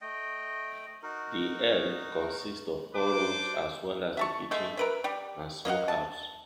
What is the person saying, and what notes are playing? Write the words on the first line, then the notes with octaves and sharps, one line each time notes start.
The ell consists of four rooms as well as the kitchen and smokehouse.
A3 D#5 G5
D#4 F#4 A#4
D4 C5 D6
E5 A5 C#6
G#3 A3
A#4 B4 E5
G3 G4
A#3 D#5 F5 F#5
A5